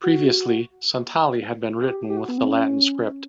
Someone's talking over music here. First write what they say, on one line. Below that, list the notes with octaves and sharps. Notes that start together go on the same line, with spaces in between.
Previously, Santali had been written with the Latin script.
F#4
G#4
G4
G4
F#4
B3
C4
C#4